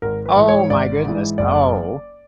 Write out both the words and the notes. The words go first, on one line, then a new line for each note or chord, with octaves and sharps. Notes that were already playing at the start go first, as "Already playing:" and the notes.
Oh my goodness. Oh.
G#1 A#4
B4
G#2 E3
C#5
G#1 D5
G#2 E3
F#1 D5